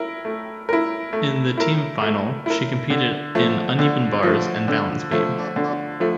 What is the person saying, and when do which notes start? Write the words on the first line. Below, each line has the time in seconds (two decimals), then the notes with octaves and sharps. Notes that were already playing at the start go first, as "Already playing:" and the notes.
In the team final, she competed in uneven bars and balance beam.
Already playing: E4 A#4
0.25 A3
0.69 E4 A#4
1.13 A3
1.57 E4 A#4
2.02 A3
2.46 E4 A#4
2.90 D3
3.35 F3 A3
3.79 D3
4.23 F3 A3
4.68 D3
5.12 F3 A3
5.56 D3
6.00 F3 A3